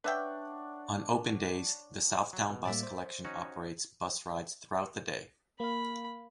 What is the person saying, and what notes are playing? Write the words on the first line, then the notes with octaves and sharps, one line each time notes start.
On open days the Southdown Bus collection operates bus rides throughout the day.
D4 B4 C#5 E5 F#5 G5
F#3
B2
A2 G3 A#3 D5 E5
C5
C#4 D#4 F#4
A#3 F5 B5